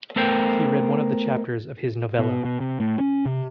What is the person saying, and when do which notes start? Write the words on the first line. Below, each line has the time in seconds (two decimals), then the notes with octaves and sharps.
He read one of the chapters of his novella.
0.16 A3 B3 A4 A#4 C5 G5
2.19 B2
2.45 B2
2.60 C3
2.80 A2
3.00 C#4
3.25 C3